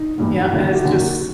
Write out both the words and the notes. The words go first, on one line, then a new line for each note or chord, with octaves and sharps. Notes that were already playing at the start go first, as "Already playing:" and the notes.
Yeah, it's just
Already playing: D#4
G1 G2 E3 G3
F#1 F#2 D#3 F#3 E4
F#4
G4
F#1 F#2 D#3 F#3 F#4